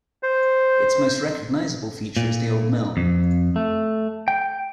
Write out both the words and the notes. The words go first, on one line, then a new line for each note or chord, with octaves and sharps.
Its most recognisable feature is the old mill.
C5
A#2
F2
A3
G5